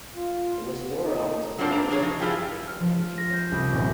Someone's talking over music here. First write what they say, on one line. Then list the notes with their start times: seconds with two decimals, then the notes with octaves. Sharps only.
It was four rounds of Maribel flaunting her amateur background.
0.15 F4
0.62 B3
1.03 D#4
1.58 F#3 A3 A#3 C4 D4 F4
1.71 D4 A#5
1.89 F3 D4 G#4 C#5
2.02 F3 D#4
2.19 F3 E4 F4 G4 G#4
2.67 F6
2.80 F3
3.18 A#6
3.33 C5
3.52 C2
3.72 D#1